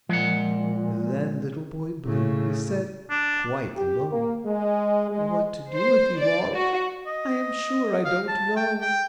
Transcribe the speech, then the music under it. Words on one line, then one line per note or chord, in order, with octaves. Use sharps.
Then Little Boy Blue, he said, quite low, "What to do with you all I am sure I don't know."
A#2 F3 G#3 F#5
A2 C#3
D4
G4
A#3
G#3
G#3
C5
D5
F#4
D#5
F5
A5
G5
G5